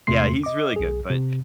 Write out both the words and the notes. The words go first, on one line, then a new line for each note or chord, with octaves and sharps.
Yeah, he's really good, but,
E2 C3 A3 C6 C7
D#5 D6
B1 G#4
C3